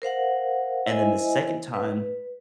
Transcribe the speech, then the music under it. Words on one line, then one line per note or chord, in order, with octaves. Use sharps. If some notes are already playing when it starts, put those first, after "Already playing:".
and then the second time
A#4 C5 F5 F#5
E4 C5 D#5 E5 G#5
B4